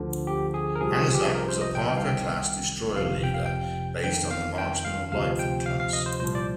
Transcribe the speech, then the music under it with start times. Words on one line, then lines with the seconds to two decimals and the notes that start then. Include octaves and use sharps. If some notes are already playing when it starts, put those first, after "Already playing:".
"Anzac" was a "Parker"-class destroyer leader, based on the "Marksman" or "Lightfoot" class.
Already playing: D2 D3 F3
0.27 G4
0.54 G#4
0.75 A#4
0.81 C2 C3 F3 G#4
0.94 G#4
1.14 G4
1.21 G#4
1.35 A#4
1.49 C5
1.61 D#5
1.75 G5
1.89 C2 C3 D#3 G5
1.97 F5
2.06 G5
2.96 F2 C3 F3 F5
3.23 G5
3.34 F5
3.46 G5
4.04 F2 D#3 G5
4.31 F5
4.58 G5
4.85 F5
5.12 D2 C3 F3 F5
5.39 G5
5.66 F5
5.80 F5
5.93 D#5
6.06 C5
6.20 C2 A#2 F3 C5
6.35 D5